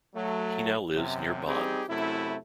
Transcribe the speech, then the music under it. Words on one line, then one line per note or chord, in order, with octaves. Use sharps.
He now lives near Bonn.
F#3 A3
F#2 C3
G3 C4 D#4 G4 G#4
F#2 C3 A3 E4